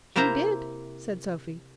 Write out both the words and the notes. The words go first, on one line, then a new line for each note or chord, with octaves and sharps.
"He did," said Sophy.
C3 A#3 E4 C5 A#5